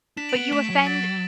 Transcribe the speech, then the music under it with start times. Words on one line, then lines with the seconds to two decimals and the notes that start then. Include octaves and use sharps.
But you offend
0.17 D4 B6 E7
0.29 D7 F#7
0.35 B3
0.52 A3 B6 E7
0.70 F#3
0.76 B6
0.87 A6 D7